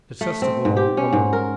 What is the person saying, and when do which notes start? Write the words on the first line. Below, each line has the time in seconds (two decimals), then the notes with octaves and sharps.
Detestable old woman!
0.21 A3
0.42 C4
0.65 G#2
0.77 G4
0.97 C#4
1.13 G#2
1.33 A#4